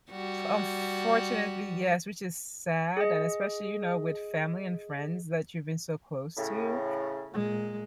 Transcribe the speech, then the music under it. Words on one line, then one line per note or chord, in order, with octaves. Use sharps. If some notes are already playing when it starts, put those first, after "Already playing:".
unfortunately yes, which is sad, and especially, you know, with family and friends that you've been so close to,
G3 F#4
G#4 D#5
A2 C#3
A#2 G#3